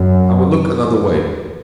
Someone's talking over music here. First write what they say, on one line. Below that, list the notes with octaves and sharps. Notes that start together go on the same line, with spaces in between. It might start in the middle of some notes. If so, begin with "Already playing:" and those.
I will look another way.
Already playing: F#2